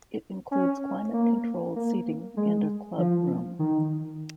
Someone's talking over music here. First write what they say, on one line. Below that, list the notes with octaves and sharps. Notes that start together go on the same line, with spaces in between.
It includes climate-controlled seating and a club room.
C#4
A#3
A#3
G#3
F3
D#3